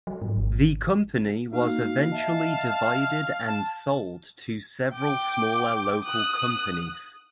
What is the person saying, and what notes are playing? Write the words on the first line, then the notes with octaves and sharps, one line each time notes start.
The company was eventually divided and sold to several smaller local companies.
F#3
G#2
G#1
A#3 D#4 F#4 F5
D#5 E5 A5
A5
G5 D6
D#6 F#6